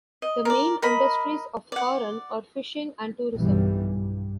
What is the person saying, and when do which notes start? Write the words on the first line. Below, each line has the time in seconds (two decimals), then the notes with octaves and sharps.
The main industries of Coron are fishing and tourism.
0.22 D#5
0.45 A#4 D5
0.82 A#4 D#5 B5
1.72 D5 F#5
3.34 B1 G2 E3 G3
3.94 G2